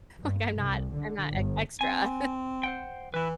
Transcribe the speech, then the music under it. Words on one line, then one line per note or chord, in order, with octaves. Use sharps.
like, I'm not I'm not ex extra,
G2
C2
D3
G1
C4 G#5
C5 F#5 G5
E3 E4 B4